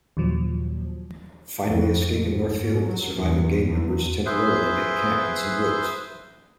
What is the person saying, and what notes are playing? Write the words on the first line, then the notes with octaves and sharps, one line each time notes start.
Finally escaping Northfield, the surviving gang members temporarily make camp in some woods.
D#2 A#2 F3 F#3
F2
G#1
G#2
F#3
E2
E2
G#4 B4 C5 E5